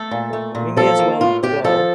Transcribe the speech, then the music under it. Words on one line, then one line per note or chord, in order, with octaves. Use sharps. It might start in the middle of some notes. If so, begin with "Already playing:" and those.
we may as well go,"
Already playing: A3 A4
A#2
A3
A#2
F3 A4
A#3
A2 F4
A2 G4
F3 A4